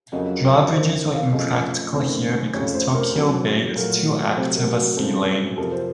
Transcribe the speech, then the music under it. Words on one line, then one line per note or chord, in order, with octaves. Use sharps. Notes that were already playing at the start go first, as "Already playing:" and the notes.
Drawbridges were impractical here because Tokyo Bay is too active a sea lane.
F2 C#3 F#3 A#3 D#5
F#2 D#3 A#3 C5
F5
F#2 C#3 F3 A3 C4 D#5
F#2 D#3 A3 C4
F2 C#3 A3 C#5
C5
A#4
C#3 F#3 C4
A#2 F#3 A3 A#4
C3 F#3 A3 C5
A#4
F#4
F#2 C#3 F#3 C4 A4
F2 C3 F3 A#3 A4
C5